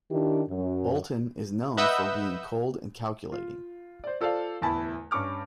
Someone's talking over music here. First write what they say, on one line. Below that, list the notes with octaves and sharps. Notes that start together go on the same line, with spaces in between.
Bolton is known for being cold and calculating.
D#3 D4 E4 G4
F#2
B4 D#5 E5 F#5 E6 G6
F4
C5 D5
F4 A4 C5 D5 F5
D1 E2 E4 G#5 A5 B5
G2 C#4 C#6 D6 F6